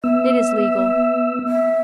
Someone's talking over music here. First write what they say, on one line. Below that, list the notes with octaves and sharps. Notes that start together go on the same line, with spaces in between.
It is legal.
B3 E5 E6
E5